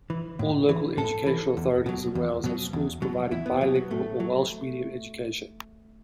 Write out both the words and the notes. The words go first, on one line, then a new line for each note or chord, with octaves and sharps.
All local education authorities in Wales have schools providing bilingual or Welsh-medium education.
E3
A2
E3
A2 A4
E3
E2
B2 F#3
E2
B2 F#3
E2
B2 F#3
E2 E4
B3
B2 F#3 B3
F#3
A2 A3
F#3